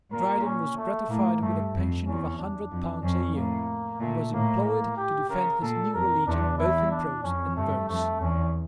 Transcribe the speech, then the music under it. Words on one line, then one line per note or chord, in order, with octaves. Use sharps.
Dryden was gratified with a pension of a hundred pounds a year, and was employed to defend his new religion both in prose and verse.
A#2 A#4
C#4
A3
A2 A#3
G2 A3
F2
E2 C#4
D4
F2
F2 C#4
A2 A#3
A#2 A3
A2 A#3
A#3
G4
C#3 A#4
A#2 A4
F2 A#4
E2 D4
E2 E4
D4
F2 C#4
G2 A3
F2 A3
E2 C#4